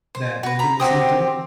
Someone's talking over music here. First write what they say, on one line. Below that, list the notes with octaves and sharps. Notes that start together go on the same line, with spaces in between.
that you've been listening to?
C5
F#4 B4
A#5 B5
C4 F#4 G4 D#6